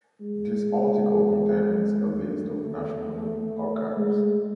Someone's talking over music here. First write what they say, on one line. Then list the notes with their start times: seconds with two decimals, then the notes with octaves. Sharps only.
This article contains a list of national archives.
0.20 G#3
2.07 A3
3.95 G#3